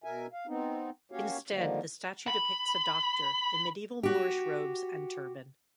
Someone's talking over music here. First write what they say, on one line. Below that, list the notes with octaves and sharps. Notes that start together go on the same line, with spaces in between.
Instead, the statue depicts a doctor in medieval Moorish robes and turban.
B2 A#4 E5 G#5
F5
B3 C4 D#4
A#3 C#4 F#4 G4 C#5 F5
D3 D#3 F3 G3 G#3 A#3
B5
F#4 G4